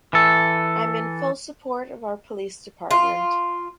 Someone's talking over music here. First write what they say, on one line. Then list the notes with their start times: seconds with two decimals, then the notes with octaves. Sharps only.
I’m in full support of our police department.
0.13 E3 A4
2.91 F4